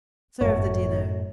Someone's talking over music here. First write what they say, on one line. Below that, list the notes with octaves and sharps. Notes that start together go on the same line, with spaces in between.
"Serve the dinner."
G1 F#2 A2 C#5